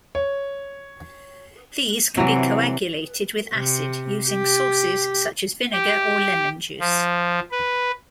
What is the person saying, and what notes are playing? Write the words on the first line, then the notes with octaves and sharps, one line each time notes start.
These can be coagulated with acid using sources such as vinegar or lemon juice.
C#5
C3 E3 F#3 E4
C3
G4
G4
F3
B4